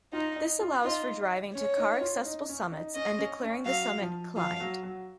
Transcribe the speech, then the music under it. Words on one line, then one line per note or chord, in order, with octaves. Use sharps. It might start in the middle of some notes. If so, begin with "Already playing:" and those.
This allows for driving to car-accessible summits and declaring the summit "climbed".
D#4 F4
D#4
F4
D#4 F4
C#4 C#5
D#4
F4
D#4
C#4
D#4
C#4 D#5
C#4
C#4
F#3 F5
F3
F3 F5
F#3
F#3